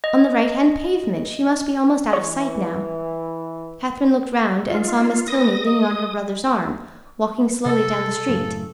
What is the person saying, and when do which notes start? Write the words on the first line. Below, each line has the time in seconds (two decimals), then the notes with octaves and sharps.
"On the right-hand pavement--she must be almost out of sight now." Catherine looked round and saw Miss Tilney leaning on her brother's arm, walking slowly down the street.
0.04 D#5
2.13 E3 C#5
4.70 D#4 F4
5.28 B3 D#6 A#6
5.66 D#5 D#6
7.66 C3 A4 D#5
8.29 F#2 A2 C#3